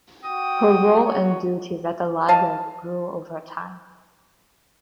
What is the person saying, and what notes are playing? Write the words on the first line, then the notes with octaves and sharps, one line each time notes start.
Her role and duties at the Library grew over time.
F#4 G5 D#6
F#4 C#5
D#5 F5 A5